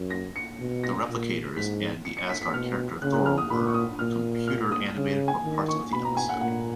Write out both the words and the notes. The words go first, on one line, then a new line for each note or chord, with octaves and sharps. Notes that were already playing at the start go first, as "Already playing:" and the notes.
The Replicators and the Asgard character Thor were computer-animated for parts of the episode.
Already playing: F#2
A#6
C#7
B2
A#6
A#2
G#2 B6
C#7
C#7
B6
B6
B2 F6
C#3 F#6
F#6
F6
D#6
A#2 B5
C#6
D#6
A#2 F6
F6
D#6
C#3
G#5
D#3
C#6
B2 B5
A#5
G#5
F#5
A#2 F#5